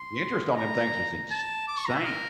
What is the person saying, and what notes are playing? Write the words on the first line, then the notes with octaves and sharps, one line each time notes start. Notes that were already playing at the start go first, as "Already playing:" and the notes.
The interest on them things is ins sane.
Already playing: C6
A#5
A5
D6
C#6
A#5
E5
A#4